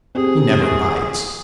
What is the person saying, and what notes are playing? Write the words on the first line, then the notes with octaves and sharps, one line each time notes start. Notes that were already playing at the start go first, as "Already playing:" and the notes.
"He never bites."
C4 G4 G#4